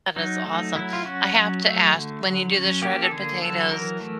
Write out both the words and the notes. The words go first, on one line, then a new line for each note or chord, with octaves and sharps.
That is awesome. I have to ask. When you do the shredded potatoes,
F#3 D#4
A3 D#4
F#3 E4
F4
C#4 F#4
F#3
A3
D3
F#3
C#4
A#3 G4
A4
D3 G#4
F#3 A4
E3 A#4
A3